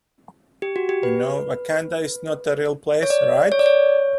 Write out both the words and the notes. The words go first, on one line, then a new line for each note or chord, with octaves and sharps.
You know Wakanda is not a real place, right?
G4
F#4
G4
B4
C#5
D5
C#5
D5
C#5